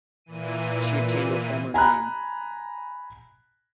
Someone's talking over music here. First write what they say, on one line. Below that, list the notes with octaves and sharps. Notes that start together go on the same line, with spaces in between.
She retained her former name.
A#2 E3 D#7
G#5 A#5 B5 F#6